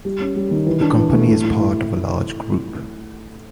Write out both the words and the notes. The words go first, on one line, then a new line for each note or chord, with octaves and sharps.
The company is part of a large group.
G3
C#4
G3
D#3
E3
D4
E3
A3
A2
E4
E4